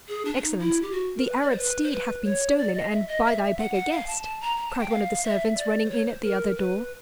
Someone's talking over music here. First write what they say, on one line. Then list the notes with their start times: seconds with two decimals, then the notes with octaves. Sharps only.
"Excellence, the Arab steed hath been stolen, and by thy beggar guest," cried one of the servants, running in at the other door.
0.08 G#4
0.25 D4
0.36 D4
0.42 D#4
0.59 E4
0.82 G4
0.92 F#4
1.17 A#4
1.25 B4
1.41 D5
1.50 C5
1.58 B4
1.83 C5
1.91 B4
2.24 C#5
2.58 D5
2.74 D#5
2.91 E5
3.08 D#5
3.24 E5
3.58 F#5
3.74 F#5
3.91 F5
4.07 A5
4.23 A5
4.41 A#5
4.57 A#5
4.68 A5
4.79 G5
4.90 F5
5.24 E5
5.57 D5
5.84 C5
5.90 C#5
6.06 C5
6.23 A#4
6.56 B4